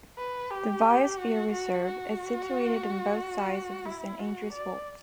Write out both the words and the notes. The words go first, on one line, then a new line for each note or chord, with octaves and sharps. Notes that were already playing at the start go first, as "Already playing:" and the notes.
The biosphere reserve is situated on both sides of the San Andreas Fault.
B4
G4
F#4
F#4
F#4
E4
F#4
D5